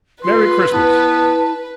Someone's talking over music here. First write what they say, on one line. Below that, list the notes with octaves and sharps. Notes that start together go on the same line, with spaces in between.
Merry Christmas!'
F4 B4 C6
B3 E4 A5